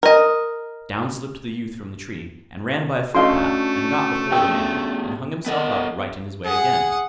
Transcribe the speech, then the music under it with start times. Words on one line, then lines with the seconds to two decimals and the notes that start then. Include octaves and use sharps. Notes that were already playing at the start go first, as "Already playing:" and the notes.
Down slipped the youth from the tree, and ran by a footpath, and got before the man, and hung himself up right in his way again.
0.03 A#4 D#5
3.15 A3 C#4 D4 F#4 D#5 F5 C6
4.32 B3 G4 G#4 G5 E6
5.46 B3 A4 A#4 D#5 F#5
6.45 G#4 F#5